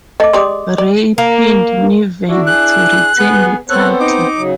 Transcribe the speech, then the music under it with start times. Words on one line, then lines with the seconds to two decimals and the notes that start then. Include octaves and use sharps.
Ray pinned Niven to retain the title.
0.20 A3 A4 D#5 D6
0.33 G#3 G4 D5 C6 D6 D#6
0.78 D5
1.18 A#3 A#4
2.28 D4 E4 F#4
2.46 G#4 F#6
3.18 B3 G#4
3.69 B3 C4 A4 C5 C#5 F#6
4.00 D#4 D6
4.37 C#3 F#3